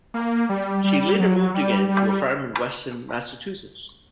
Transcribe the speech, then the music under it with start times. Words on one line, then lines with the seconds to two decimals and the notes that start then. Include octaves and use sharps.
She later moved again to a farm in Weston, Massachusetts.
0.14 A#3
0.49 G3
0.84 G3
1.19 F#3
1.54 G3
1.89 G3